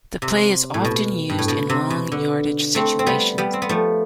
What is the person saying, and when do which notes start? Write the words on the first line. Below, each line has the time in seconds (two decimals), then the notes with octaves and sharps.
The play is often used in long yardage situations.
0.22 C3
0.74 A2
0.85 B2
1.30 G2
1.39 A2
1.48 B2
1.70 C3
1.90 B2
2.12 D3
2.75 A3 C4
2.99 C4
3.06 G3 B3
3.38 G3 B3
3.53 C4
3.62 B3
3.69 F3 A3